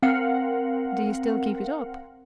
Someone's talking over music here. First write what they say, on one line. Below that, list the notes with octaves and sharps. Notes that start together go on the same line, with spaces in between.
"Do you still keep it up?"
C4 A#4 F5 F#5